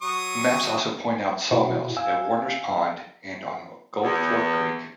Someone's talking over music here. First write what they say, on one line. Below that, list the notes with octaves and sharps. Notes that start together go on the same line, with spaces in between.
The maps also point out sawmills at Warner's Pond and on Gold Fork Creek.
F#3 C#6 D#6
B2 E4 F#4
F5 G#5 E6
E2